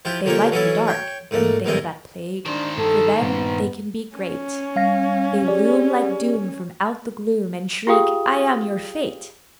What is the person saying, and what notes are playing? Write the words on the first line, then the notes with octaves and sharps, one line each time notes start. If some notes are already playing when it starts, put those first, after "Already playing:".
They like the dark, them things that plague, For then they can be great, They loom like doom from out the gloom, An' shriek: "I am your Fate!"
F3 E4 F4 G4
D3 F3 A#3 G4 A#4 C#5
E3 F#3 C#4 E4 A4
C#5 G5
G#2 A3 A#3
B1 G#2 D#3 G3 E4 D#5
D#3 D4 C5
G2 A4
G2 A#2 G3 B3
C#4
G3 F5 A#6
G4 G#4 D5
F4 G4 G#4 F5 G5 D#6